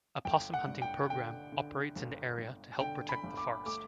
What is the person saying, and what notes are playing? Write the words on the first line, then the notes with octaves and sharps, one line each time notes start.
A possum-hunting programme operates in the area to help protect the forest.
G1 G5
F#5
G2
G5
D3 G5
D3
G1
G1
D3 G5
B5
G1
D6
A3 D6